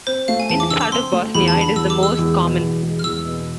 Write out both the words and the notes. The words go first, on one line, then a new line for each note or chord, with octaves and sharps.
In this part of Bosnia it is the most common.
C4 C5
A3 F5
G#5
E2 A5
D6
D3 E6
D6
C4 C6
A3
E2 B5
A5
D3
B5
E2 E6
D6
G#3
E6
E2
B2
E2
G#3
F6
E2 E6
B2